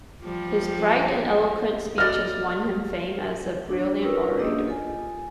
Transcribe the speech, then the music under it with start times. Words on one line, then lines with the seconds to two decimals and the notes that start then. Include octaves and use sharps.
His bright and eloquent speeches won him fame as a brilliant orator.
0.23 F3 G3
1.98 F#4 A4 D5 D#5 F6
3.69 D4
4.02 C#4 D#4 F4 A#4 B4 E6
4.39 A#3 D4 G4 G#4 D#5 D#6
4.66 F4 A4 G#5